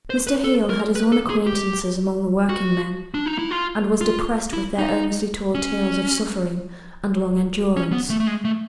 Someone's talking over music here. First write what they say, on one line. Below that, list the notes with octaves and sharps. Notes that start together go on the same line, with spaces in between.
Mr. Hale had his own acquaintances among the working men, and was depressed with their earnestly told tales of suffering and long-endurance.
C5
B4
A4
A#4
B4
A4
G#4
G4
F#4
D4
D#4
E4
F4
F4
E4
D#4
C#4
C#4
B3
A3
A3
G#3
A3